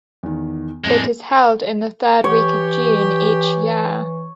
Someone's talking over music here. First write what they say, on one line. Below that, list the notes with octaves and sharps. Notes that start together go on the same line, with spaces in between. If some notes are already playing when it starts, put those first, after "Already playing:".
It is held in the third week of June each year.
E2 D#3
F2 A2 G#3 D4
E3 G4 C#5